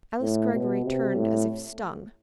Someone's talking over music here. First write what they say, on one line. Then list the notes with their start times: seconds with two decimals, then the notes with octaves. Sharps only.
Alice Greggory turned as if stung.
0.21 A2
0.53 B2
0.85 C3
1.16 A2